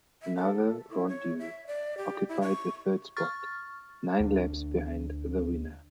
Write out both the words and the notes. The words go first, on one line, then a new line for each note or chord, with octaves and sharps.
Another Rondeau occupied the third spot, nine laps behind the winner.
E5
A4
E4
C#5
E5
D5
G4
E4
C#6
C#6 F6 A6
D2 D4